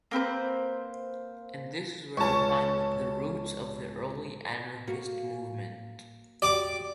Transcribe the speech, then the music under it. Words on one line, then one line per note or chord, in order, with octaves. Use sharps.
And this is where we find the roots of the early anarchist movement...
A#3 C4 B4 C5
C#2 C#4 A5 C#6
A#3 F#4
F#4 G4 D5 D6